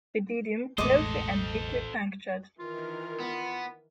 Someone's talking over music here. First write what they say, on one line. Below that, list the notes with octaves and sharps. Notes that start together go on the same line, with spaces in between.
Pygidium closely and deeply punctured.
E1 A1 G#3 A3 A4 C5 D#5 D6
D#3 E3 F4 A#4
B3